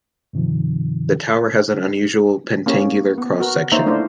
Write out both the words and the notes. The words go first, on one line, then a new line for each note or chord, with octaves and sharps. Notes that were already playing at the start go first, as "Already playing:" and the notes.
The tower has an unusual pentangular cross section.
G2 C3 D#3 F3
A#3 C#4 E4 G4 C#5
B3
F#4 A#4 B4
A#3 D#4 C5 C#5 E5 A#5
A3 D4 E4 A#4 C5 D5